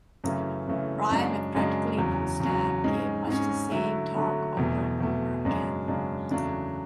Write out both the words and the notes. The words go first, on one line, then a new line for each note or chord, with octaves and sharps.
Bryan, with practically no staff, gave much the same talk over and over again.
F#2 C#3 E3 A3
F#2 C#3 E3 A3
F#2 C#3 G#3 D4
F#2 C#3 G#3 D4
E2 C#3 F#3
E2 C#3 F#3
G#2 G#3 C#4
G#2 G#3 C#4
D3 F#3 A3 E4
D3 F#3 A3 E4
E2 B2 A3
E2 B2 A3
F#2 C#3 G#3 D4
F#2 C#3 G#3 D4
E2 C#3 F#3 A3 D4